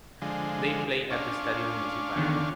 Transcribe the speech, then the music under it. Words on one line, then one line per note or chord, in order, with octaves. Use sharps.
They play at the Estadio Municipal.
D3 F3 G#3
C#4 D4 F4
E2 D3 D#3